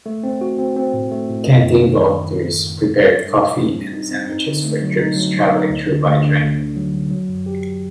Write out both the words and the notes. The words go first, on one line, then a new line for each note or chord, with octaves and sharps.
Canteen volunteers prepared coffee and sandwiches for troops traveling through by train.
A3
C4
F#4
C4
C4
A2
A3
A2
F#2
F#2
D#3
F#2
D#3
F#2
F#2
F#2
G2
G2
G2
D#4
C4
G2
D#4
C4
D#4
D3
A3
F#3
D#4
F#3
F#3
D#4
D2
D3
D2
D3
D2
D2
F#3
F#3
F#3
F#2
G4
F#3